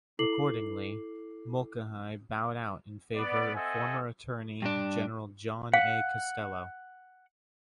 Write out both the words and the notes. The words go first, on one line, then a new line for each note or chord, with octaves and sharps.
Accordingly, Mulcahy bowed out in favour of former Attorney General John A. Costello.
E4 A4 D6 C7 F#7
B3 D5
C4 A4 D#5 E5 F#5 G#5
G2 D4
F5 F#5